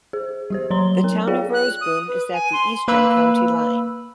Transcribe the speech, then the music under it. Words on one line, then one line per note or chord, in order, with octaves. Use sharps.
The Town of Roseboom is at the eastern county line.
G#4 C5
G3 G4 C5
F#3 C#5 A#5 C6 G7
B3 A#4
F4 G#4 C#5 D5 F5 G5
F#6
D#6
B4
G#5
C6
A#3 B4 B5 E6